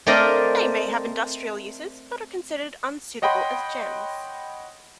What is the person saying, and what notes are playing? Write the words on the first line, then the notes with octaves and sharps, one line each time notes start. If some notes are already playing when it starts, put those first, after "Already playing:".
They may have industrial uses but are considered unsuitable as gems.
A3 C4 A#4 D5 D#5 F5
C#5 D#5 F#5 G5 B5 C6